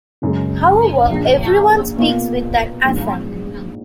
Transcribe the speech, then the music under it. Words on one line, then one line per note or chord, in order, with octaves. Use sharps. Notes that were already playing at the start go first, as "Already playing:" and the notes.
However, everyone speaks with an accent.
F#1 F#2 C#3 G#3
A#1 A#2 F3
B2 A#3 F4
A#1 G#2 F3